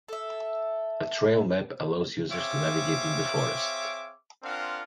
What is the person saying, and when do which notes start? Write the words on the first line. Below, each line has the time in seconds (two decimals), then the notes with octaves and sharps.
A trail map allows users to navigate in the forest.
0.09 A4 E5
2.29 C4 G#4 C#5 E5 F5 D6
4.43 C4 D4 F4 A#4 F5 F#5